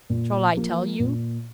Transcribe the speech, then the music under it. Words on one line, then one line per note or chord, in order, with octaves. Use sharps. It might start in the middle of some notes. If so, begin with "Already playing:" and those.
Shall I tell you?
A#2
F3 A#3
A#2